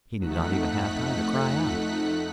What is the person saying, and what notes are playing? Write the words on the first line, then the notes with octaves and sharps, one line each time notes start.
He did not even have time to cry out.
F2 A3 D#4 F#5 F#6 B6